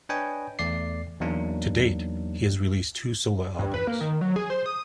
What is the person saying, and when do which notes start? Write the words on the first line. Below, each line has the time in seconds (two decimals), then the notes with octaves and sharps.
To date, he has released two solo albums.
0.09 D4 B4 C#5 D#5 G5 G#5
0.59 E2 A3 D5 C7
1.21 E2 F#3 A#3 D4 D#4
3.59 G2
3.74 B4
3.87 A#3
4.01 D#3
4.21 F#3
4.36 G#4
4.50 C5
4.66 D#6